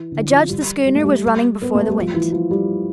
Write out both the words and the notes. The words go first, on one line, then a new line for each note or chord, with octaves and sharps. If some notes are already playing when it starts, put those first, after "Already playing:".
I judged the schooner was running before the wind.
Already playing: E3
D3
F3
G3
G3
A3
G3
B3
A3
G3
F3
E3
F3
G3